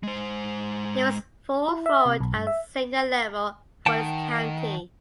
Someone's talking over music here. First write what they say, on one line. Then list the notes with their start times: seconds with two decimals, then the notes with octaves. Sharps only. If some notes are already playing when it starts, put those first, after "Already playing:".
He was full forward at senior level for his county.
0.03 G#3 C5
1.68 E4
1.86 E5
2.05 C3
2.20 B1
2.33 G2
2.47 E5
3.86 D#3 F#5 G5 A5